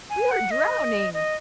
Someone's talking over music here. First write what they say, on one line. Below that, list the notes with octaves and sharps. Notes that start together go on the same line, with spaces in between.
We are drowning!'
G#5
F#5
D#5
D#5